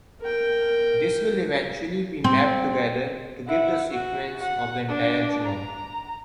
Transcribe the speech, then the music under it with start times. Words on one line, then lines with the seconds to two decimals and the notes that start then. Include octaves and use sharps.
This will eventually be mapped together to give the sequence of the entire genome.
0.21 A#4 G5
2.24 C4
3.47 E4 F#5
3.92 F#4
4.41 F#5
4.89 D4
5.44 A#5